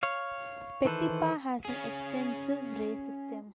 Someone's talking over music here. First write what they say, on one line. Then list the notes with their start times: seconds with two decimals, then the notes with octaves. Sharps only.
Petipa has an extensive ray system.
0.03 C#5 F5
0.85 D#3 E3 A4 B4 C5
1.65 C#4 G#4